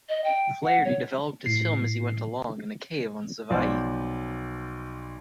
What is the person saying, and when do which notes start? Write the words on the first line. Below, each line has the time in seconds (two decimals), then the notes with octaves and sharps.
Flaherty developed his film as he went along, in a cave on Savai'i.
0.09 D#5
0.24 G5
0.64 F#5
0.85 C#5
1.46 A2 C7
3.50 B1 F3 B3 C5 D5